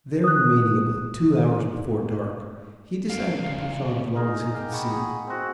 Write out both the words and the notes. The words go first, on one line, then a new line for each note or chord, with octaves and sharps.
There remaining about two hours before dark, he decided to push on as long as he could see.
D#6 F#6
C#3 G3 F5
D#4 G#4 A#4
G4 F5 G5
F#5 B5 C#6
G#4
C4 F#4